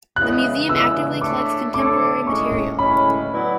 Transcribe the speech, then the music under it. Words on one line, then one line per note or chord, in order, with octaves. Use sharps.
The museum actively collects contemporary material.
E2 C#3 G#3 B3 E4 F#6
E2 C#3 G#3 B3 E4 E6
A3 D4 A4 C#5 E5 D6
A3 D4 A4 C#5 E5 D6
A2 G#3 C#4 C#6
A2 G#3 C#4 B5
F#3 B3 E4 B4 D5